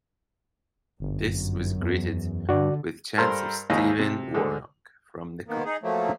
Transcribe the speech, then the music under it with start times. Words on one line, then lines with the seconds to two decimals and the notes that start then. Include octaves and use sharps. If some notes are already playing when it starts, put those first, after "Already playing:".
This was greeted with chants of 'Stephen Warnock' from the Kop.
1.00 G1 F#2
1.80 E2
2.49 G2 D3 F#4 D5
3.18 G2 A4 A#4 C5 C6
3.70 D#2 G#2 A#3 D#4 E4 D#5
3.99 C3
4.34 G#2 D3
5.48 D#3 A#3 B3
5.65 D#4 G#4
5.83 F3 F#3 A3 A#3